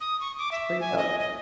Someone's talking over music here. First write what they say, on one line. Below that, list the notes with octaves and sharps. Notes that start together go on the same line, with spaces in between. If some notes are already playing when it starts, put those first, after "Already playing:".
It's pretty dope.
D#6
C#6
D6
E5
G#5
D#5
D#5